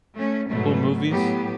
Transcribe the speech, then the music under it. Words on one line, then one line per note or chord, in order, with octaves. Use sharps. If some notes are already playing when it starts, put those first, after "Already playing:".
Cool movies?
A3 C#4
G#2 B2 F#3 A3
A2 F#3 B3 G4